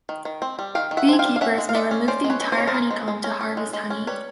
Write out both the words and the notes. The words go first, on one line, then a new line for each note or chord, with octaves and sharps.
Beekeepers may remove the entire honeycomb to harvest honey.
D#3
D#3
C4
G3
D#3 F5 G5
D#3
E5 F#5
C4 G#5
F5 G5
G3
F5
C#4 E5 F#5
G#3
F5
G#3 D5 E5
C#4
C#4 C5 D5
G#3
B4 C#5
G#3
C5
C#4 C#5
A#4 C5
C#4
G#3
G#3
C#4
C#4
G#3
G#3
C#4
G3 B4 C#5